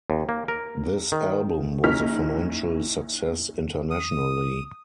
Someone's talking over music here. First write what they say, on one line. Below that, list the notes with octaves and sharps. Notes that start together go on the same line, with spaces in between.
This album was a financial success internationally.
D#2
A#3
A#4
D#3
A#1 C#4 D#4 E4 F6 B6
D#6